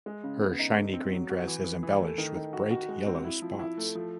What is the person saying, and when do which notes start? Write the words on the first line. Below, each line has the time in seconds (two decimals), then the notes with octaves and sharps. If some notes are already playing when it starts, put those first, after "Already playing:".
Her shiny green dress is embellished with bright yellow spots.
0.06 G#3
0.24 C#3
0.41 B3
0.59 D#4
0.76 D3
0.94 C4
1.12 F#3
1.29 F#4
1.47 E3
1.64 E3
1.83 E3
2.00 A3
2.18 D#3
2.35 D#3
2.53 F#4
2.71 F#4
2.89 G#3
3.07 C4
3.24 E4
3.42 F3
3.59 E4
3.78 A3
3.95 F3